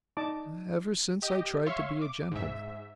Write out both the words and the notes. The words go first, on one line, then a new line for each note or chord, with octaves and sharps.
"Ever since I tried to be a gentleman."
D#4 D5 D#5 A5 D6
G4 D#5
C#5 E5 F5 C6 C#6
D6
G#2 E5